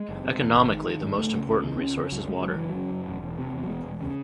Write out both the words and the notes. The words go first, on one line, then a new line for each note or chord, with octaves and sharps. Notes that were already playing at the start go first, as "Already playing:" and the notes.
Economically the most important resource is water.
Already playing: G#3
F#1
C3
E2
G#1
G#2
G#1
G#2
C#2 A3
C#3
C#2
C#3
C4
C#2 C#4
C#3 C4
C#2 F#3
C#3 G#3
F#1 F#3
F#1 E3
F#3
C#3
F#2
E1
E1
C3
E2
F#3
E1 G#3
E1
C#3